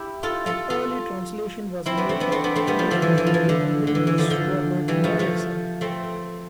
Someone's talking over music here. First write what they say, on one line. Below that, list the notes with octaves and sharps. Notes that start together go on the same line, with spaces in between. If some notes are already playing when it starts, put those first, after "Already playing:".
An early translation was made by British missionary and linguist Robert Morrison.
Already playing: E4 G4
F4 A4
F4 A4
F4 A4
C4 E4
B3 D4
A3 C4
B3 D4
A3 C4
B3 D4
A3 C4
G3 B3
F3 A3
D3 F3
E3
E3
F3
E3
D3
D3
E3
E3
D3 F3
D3 F3
E3 G3
F3 A3
F3 A3
A3 C4